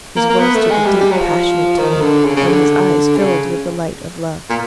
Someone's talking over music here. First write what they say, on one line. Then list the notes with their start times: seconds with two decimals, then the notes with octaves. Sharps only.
His voice took a deep, passionate tone, and his eyes filled with the light of love.
0.16 A#3
0.30 A#3
0.40 B3
0.55 A3
0.70 G#3
0.86 G3
1.00 G3
1.11 F#3
1.17 F3
1.78 D#3
2.01 D3
2.25 C#3
2.36 C#3
2.47 D3
3.16 C#3
4.49 A#2